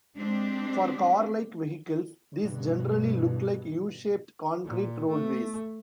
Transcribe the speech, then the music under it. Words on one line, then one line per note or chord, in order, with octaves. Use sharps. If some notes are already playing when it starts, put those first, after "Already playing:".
For car-like vehicles these generally look like U-shaped concrete roadways.
G#3 C4 D4 G4
G2 B2
A#2
A3